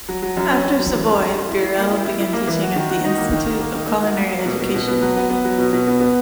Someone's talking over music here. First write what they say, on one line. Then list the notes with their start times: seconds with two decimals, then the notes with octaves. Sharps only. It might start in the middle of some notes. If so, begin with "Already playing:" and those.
After Savoy, Burrell began teaching at the Institute of Culinary Education.
0.09 F#3
0.22 F#3
0.37 F#2
0.51 C#4
0.65 F#2
0.79 F#3
0.93 E3
1.06 G#2
1.20 G#2
1.35 G#2
1.49 E4
1.63 E4
1.78 A#3
1.91 E4
2.05 E4
2.20 E4
2.33 A#3
2.47 E3
2.63 F#4
2.76 D#3
2.90 F#4
3.05 D#4
3.18 A#3
3.33 D#3
3.47 D#4
3.60 A#3
3.75 D#4
3.89 A#3
4.03 F#4
4.17 A#3
4.31 F#3
4.46 B2
4.60 B2
4.74 B2
4.87 B3
5.02 F#3
5.17 B3
5.30 B3
5.45 F#3
5.58 B2
5.73 B2
5.87 B3
6.01 B3